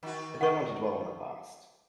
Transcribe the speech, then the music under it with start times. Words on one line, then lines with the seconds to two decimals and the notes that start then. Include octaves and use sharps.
I don't want to dwell on the past.
0.03 D#3 F#4
0.41 F#5 C#6